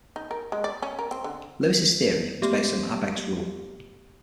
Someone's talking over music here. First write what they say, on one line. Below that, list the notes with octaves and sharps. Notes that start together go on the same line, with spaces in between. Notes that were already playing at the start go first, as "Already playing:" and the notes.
Lewis's theory was based on Abegg's rule.
D#4
A#4
G#3
D5
C#4
A#4
C4
D3
A3 B3 G4